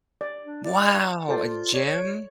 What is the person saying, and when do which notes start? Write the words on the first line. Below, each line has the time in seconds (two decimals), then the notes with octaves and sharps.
Wow. A gym?
0.21 D5
0.45 D4
0.64 E4 D5
1.29 F4 A4 C5 D5
1.74 C#5 D5